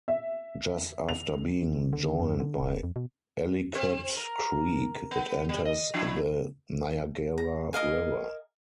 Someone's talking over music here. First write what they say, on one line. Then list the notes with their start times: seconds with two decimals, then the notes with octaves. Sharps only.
Just after being joined by Ellicott Creek, it enters the Niagara River.
0.08 E5
1.09 F7
1.93 D3
2.20 F#2
2.40 D3
2.60 D#1
2.83 F2
2.96 B2
3.75 C4
4.17 A#4
5.11 B3
5.49 G3
5.65 D#5
5.94 F3 D4 E4
7.38 A#5
7.73 A#4 D#5 F5 G#5